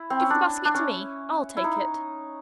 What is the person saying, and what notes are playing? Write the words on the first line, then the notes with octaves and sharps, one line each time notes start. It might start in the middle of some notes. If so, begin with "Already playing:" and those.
'Give the basket to me,--I'll take it.'
Already playing: E4
C4
C#4
D4
D4
C#4
E4
D#4